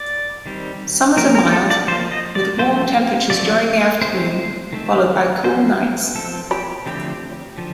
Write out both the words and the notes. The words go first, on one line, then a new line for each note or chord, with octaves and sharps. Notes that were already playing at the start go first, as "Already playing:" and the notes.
Summers are mild with warm temperatures during the afternoon followed by cool nights.
Already playing: D5
D#3 G3 C4
F3 A#3 A#4
A#4
A4
D5
F3 A#3 C5
D#5
D5
F3 A3 C4 C5
F3 A3 C4 D5
D#3 A3 C4 C5
D#3 A3 C4
F3 C4 C5
F3 C4 A4
G4
D3 F3 A3 C4 G4
D3 F3